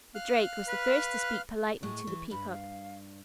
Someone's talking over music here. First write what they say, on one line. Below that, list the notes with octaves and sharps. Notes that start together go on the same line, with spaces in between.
The Drake was the first to speak politely to the Peacock.
F5 F6 F#6
B4
A2 G#3 C#6
E3
G2 B5
F5